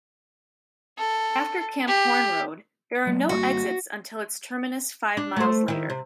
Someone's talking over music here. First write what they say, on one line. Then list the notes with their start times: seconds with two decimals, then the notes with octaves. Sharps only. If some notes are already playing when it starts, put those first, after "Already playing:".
After Camp Horne Road, there are no exits until its terminus five miles later.
0.98 A4
1.88 G4
3.07 F#3 A3 A#3
3.29 G#1 G3 A#3 F#4
5.17 D4
5.36 A3 C5
5.68 D#3 E4
5.90 C3